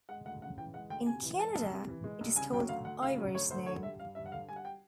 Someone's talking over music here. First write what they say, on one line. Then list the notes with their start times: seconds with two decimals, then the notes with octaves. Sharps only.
In Canada, it is called Ivory Snow.
0.09 G#3 F#5
0.25 D2 F#5
0.42 C#3 F#5
0.57 E3 G5
0.74 G#3 F#5
0.90 D2 G5
1.06 C3 G#5
1.23 E3
1.39 G#3 A5
1.55 C2
1.72 C3
1.88 E3
2.04 G#3
2.21 C2
2.36 C#3 G#5
2.53 F#3 G5
2.69 D2 F5
2.85 D2 F#5
3.02 C#3 F5
3.18 F#3
3.34 D2 C#5
3.51 D2 C5
3.66 D3 C#5
3.83 G3 E5
4.00 G2 F5
4.15 G2 E5
4.26 F#5
4.32 D3 F5
4.49 G3 G#5
4.56 F#5
4.65 G5